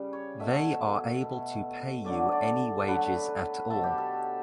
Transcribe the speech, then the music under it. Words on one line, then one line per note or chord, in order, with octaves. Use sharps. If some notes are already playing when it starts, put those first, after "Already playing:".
They are able to pay you any wages at all.
Already playing: C#3 G3
C#5
B2 A3 E5
B2 A3
D3 F#3 A3 D5
D5
D3 F#3 A3 B4
B2 F#3 A3 A4
G4
A4